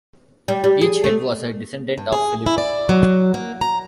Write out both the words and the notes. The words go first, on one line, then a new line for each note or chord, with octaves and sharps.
Each head was a descendant of Philip.
G3
G3
G#4
A3
G2
G#4
E4
D5
F#3
A#3
A#5